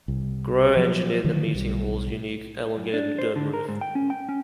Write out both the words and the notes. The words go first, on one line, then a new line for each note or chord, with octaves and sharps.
Grow engineered the meeting hall's unique elongated dome roof.
C2
F3 F#3
D3 D#3 F3 F#3
B1 G3
F#2
D4
C5
D3
A#4
G#2
G5
C#4
G5
C#4